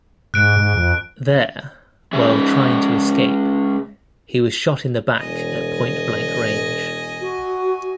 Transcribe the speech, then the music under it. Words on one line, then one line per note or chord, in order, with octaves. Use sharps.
There, while trying to escape, he was shot in the back at point-blank range.
G#2 F#6 D7
G#2
F2
G#3 C#4 G#4 E5
E1 D#5 G#5
F#4